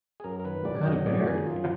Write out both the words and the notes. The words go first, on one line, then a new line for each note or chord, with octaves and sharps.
What kind of berry?
G#4
F#2 A#4
A#4
D#3 B4
F#2 D5
F#3 D#5
F#2 D5
F#4
D#3 G#4
F#2 F4